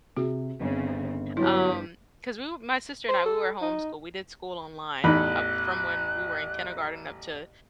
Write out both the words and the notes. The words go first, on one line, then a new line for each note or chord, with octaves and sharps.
Um, 'cause we w my sister and I, we were homeschooled, we did school online up from when we were in kindergarten up to,
C3 F#4 G#4
G1 C#3 C4
G2 F#3 E4 G4
C5
A4
D#4
A1 E2 E3 D#4 B5 F#6